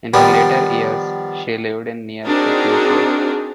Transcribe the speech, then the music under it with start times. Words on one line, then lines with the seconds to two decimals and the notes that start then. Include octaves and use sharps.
In her later years she lived in near seclusion.
0.14 D#3 F3 G3 B3 D4 G4
2.26 C4 D4 D#4 F#4 G#4 A#4